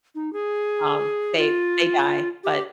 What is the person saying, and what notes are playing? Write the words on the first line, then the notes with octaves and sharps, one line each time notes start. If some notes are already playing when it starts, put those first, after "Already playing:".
um, they they die, but
D#4
G#4
F4
G4